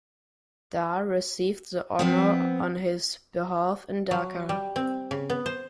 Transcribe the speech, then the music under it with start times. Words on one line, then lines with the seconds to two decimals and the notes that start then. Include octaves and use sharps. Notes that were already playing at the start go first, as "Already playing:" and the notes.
Dhar received the honour on his behalf in Dhaka.
1.99 F3 B3 C4
4.11 F#3
4.49 G3
4.76 C4
5.11 C#3
5.30 B3
5.46 C5